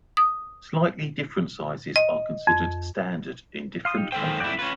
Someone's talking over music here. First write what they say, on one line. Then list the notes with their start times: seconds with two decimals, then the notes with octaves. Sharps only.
Slightly different sizes are considered "standard" in different countries.
0.17 D#6
1.96 D#5
2.47 F2
3.85 F5 C6 D#6
3.97 D#4 F4 G4
4.12 D#3 G#3 A4 C5 G5
4.40 F2 E4 F#4 D5 G5
4.59 C#4 F4 B4 C#5